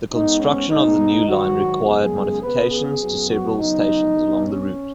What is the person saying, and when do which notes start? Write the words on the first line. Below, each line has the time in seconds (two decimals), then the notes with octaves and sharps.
The construction of the new line required modifications to several stations along the route.
0.11 G#2 G#3 B3 D#4
0.41 C#4
0.69 B2 G#3 B3 D#4
1.27 G#2 D#3 F#3 F#4
1.84 F#2 C#3 G#3 B3 G#4
2.42 C#3 B3 B4
2.71 G#4
3.00 F#2 F#3 B3
3.29 F#4
3.57 C#3 F#3 B3 D#4
4.16 B2 B3
4.45 C#4